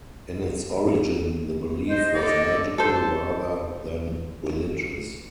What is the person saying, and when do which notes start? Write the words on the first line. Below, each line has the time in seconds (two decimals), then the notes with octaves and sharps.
In its origin the belief was magical rather than religious.
1.88 C5 D#5
2.14 A4 D5
2.78 A4 C5